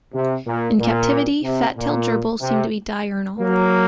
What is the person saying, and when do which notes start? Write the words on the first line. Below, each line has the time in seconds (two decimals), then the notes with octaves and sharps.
In captivity fat-tailed gerbils seem to be diurnal.
0.14 C3
0.47 A#2
0.78 A#2
1.43 C3
1.75 A#2
2.41 C3
3.39 F#3 A#3